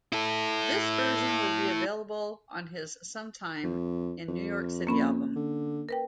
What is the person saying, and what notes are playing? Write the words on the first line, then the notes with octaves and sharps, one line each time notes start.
This version would be available on his "Some Time in New York City" album.
E4 A4
F2
F2
A#3 C#4 B5
D3
A#4 B4 G5